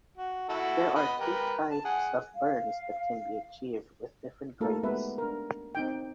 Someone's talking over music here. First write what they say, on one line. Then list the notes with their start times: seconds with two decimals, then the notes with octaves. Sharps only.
There are three types of burns that can be achieved with different grains.
0.17 F#4
0.49 E4 F#4 A4
0.95 D#5 F#5 B5
1.21 G4 A#4 B4
1.71 A5
1.85 G#4 F#5
2.33 F5
4.61 A3 A#3 D#4 F4 A4 A#4
4.83 G#3 B3 G4 B4 E5
5.18 D4 A#4
5.75 C4 D#4 G5